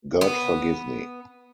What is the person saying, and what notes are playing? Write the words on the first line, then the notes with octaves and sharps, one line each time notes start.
God forgive me.
B3